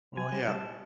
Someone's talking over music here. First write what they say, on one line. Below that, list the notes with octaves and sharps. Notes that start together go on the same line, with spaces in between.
Well, yeah.
F#3 G#5
G3
G3 A5